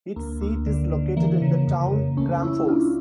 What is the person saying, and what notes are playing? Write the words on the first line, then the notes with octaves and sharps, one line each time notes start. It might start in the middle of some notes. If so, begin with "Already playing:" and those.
Its seat is located in the town Kramfors.
D2 A#3
D2
D3
D3
E3 A#3
C#3
F2
C#3
C#2 A3 C#4
C#2 C#4 E4
C#2 D4 F4